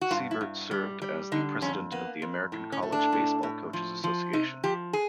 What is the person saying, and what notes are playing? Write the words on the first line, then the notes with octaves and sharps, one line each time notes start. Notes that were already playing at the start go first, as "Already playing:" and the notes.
Siebert served as the president of the American College Baseball Coaches Association.
F#4
G2 F4
E4
G2
G3
G3
D3 D#4
F2 C#4
A#3 B3
F2
A2
C#4
A3
D4
A2
A2
F3
F3
C3 D#4
F3 G4
G#4